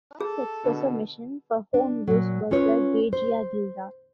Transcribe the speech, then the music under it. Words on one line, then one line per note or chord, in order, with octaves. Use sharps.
The first espresso machine for home use was the Gaggia Gilda.
G#4 A4
B2 D3
D4
A#2 F#3
C#4 F4 B4 C#5
C5